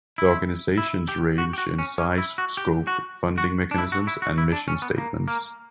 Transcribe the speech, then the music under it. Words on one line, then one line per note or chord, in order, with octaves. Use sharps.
The organizations range in size, scope, funding mechanisms, and mission statements.
E4
E4
G4
F#4
G4
F#4
C#4
C#4
E4
F#4
G4
F#4
F#4
D4
E4
F#4
E4
F#4
E4
D4
C#4
B3
A#3
A#3